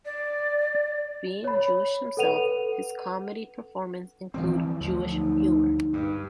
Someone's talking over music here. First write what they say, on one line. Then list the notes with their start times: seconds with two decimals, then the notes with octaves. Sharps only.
Being Jewish himself, his comedy performances include Jewish humour.
0.05 D5
1.44 C#5 B5
2.17 A4 B4 F#5 D#7 F7
4.34 E3 F3 C4
4.81 D2 F3 F#3
5.10 D#4
5.93 G2